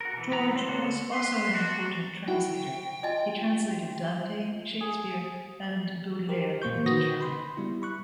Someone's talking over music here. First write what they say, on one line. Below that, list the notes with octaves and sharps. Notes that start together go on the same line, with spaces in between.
George was also an important translator; he translated Dante, Shakespeare and Baudelaire into German.
F#4 A#4
B2 E3
B3 A#5 B5
C4 C#5 C6
D2 D3 F#4
B4 C6
D4 F#4
E4 F#4 G5
F4 D#5 E5 G#5
G#4
G4 A#4 C5
A#2 A#3 C5 C#6 G6
D#3 F#4 B4 D#6 A#6
B5 C6
G3 B3 E4
B5 C#6 F#6